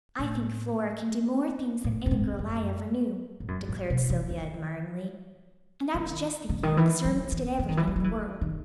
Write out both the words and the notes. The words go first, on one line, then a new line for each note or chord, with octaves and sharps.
"I think Flora can do more things than any girl I ever knew," declared Sylvia admiringly; "and I was just thinking that the servants did everything in the world."
A2
A2
F#2
G#2
F#2
G#2
F#2
G#2
C3
E3
D#3
D#3
C#3
D#3
E3
F#3
E3
E3
D#3
E3
E3
F#3
E3
D#3